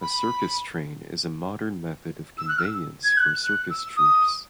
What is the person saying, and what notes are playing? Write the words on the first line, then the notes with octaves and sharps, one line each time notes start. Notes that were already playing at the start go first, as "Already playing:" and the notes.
A circus train is a modern method of conveyance for circus troupes.
B5
E6
F#6
E6
G#6
F#6
F#6
E6
D#6